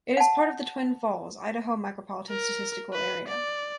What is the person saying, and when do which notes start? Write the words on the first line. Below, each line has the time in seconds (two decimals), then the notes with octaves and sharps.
It is part of the Twin Falls, Idaho Micropolitan Statistical Area.
0.17 F#5 A5
2.29 A#4
2.93 B4
3.28 D5